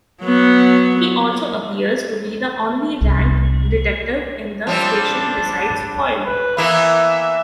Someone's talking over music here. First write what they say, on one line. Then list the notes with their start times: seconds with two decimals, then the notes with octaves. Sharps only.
He also appears to be the only ranked detective in the station besides Foyle.
0.23 F#3 B3
3.01 C2 C4
4.67 F3 G3 C4 D4
6.25 B4
6.57 E3 A#3 B3 E5